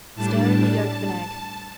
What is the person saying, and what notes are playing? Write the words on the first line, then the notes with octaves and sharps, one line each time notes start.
Stir in the yolk of an egg.
A2 G3 D4 A5